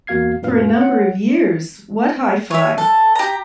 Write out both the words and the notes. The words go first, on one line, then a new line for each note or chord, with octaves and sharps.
For a number of years, What Hi-Fi?
E2 A#3 F#4 F5 G#6 C7
F#2 A#2 B4 F5
C#5 F#5
C#5 E5
A4
G4 A#5